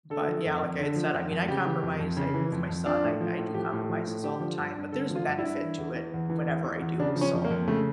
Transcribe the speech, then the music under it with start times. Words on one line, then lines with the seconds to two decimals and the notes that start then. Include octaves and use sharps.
but, yeah, like I had said, I mean, I compromise I with my son. I I do compromises all the time, but there's benefit to it whenever I do. So
0.10 D3 A4
0.28 F3
0.45 F2
0.63 F2
0.80 D3
0.96 F3
1.13 F2
1.31 F2
1.48 C#3 G4
1.65 E3
1.82 F2
1.99 F2
2.17 C#3
2.34 E3
2.52 F2
2.69 F2
2.86 F3 D4
3.04 A2
3.21 F3
3.38 A2
3.54 F3 G4
3.73 A2
3.89 F3
4.07 A2
4.23 D3 G4
4.40 F3
4.58 G2
4.76 G2
4.92 D3 A4
5.10 F3
5.15 F4
5.27 G2
5.38 E4
5.44 G2
5.61 E3
5.78 E2
5.96 E3
6.14 E2
6.30 E3
6.48 E2
6.65 E3
6.81 E2
6.99 C#3 D4
7.16 F3
7.21 C#4
7.34 F2
7.45 A#3
7.50 F2
7.67 C#3 A3